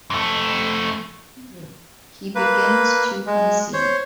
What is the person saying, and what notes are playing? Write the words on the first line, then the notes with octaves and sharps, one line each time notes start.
He begins to concede.
F2 A3
A#3 B4
G#3
C5 C#5